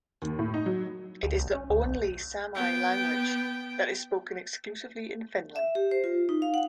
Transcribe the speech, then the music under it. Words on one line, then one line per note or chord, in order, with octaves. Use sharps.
It is the only Sami language that is spoken exclusively in Finland.
D#2
A2
D#4
F#3
D2
C2
C#4
D2
B1
B3 G5
E5
G4
C5
F4
D#4
F5
F#5